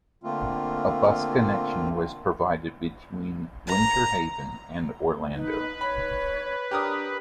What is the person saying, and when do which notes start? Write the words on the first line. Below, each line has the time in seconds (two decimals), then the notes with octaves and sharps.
A bus connection was provided between Winter Haven and Orlando.
0.24 D3 A3 A#3 C4 F4
3.66 A#5
5.34 D#4 B4
5.81 C#5 B5
6.71 D4 G4 A#4 D#6